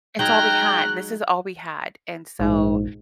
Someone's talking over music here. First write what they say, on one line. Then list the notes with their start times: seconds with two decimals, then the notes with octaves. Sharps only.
it's all we had, this is all we had. And so
0.19 F#3 G#3 D#4 G5 A#5 F6 F#6
2.39 A#1 G#2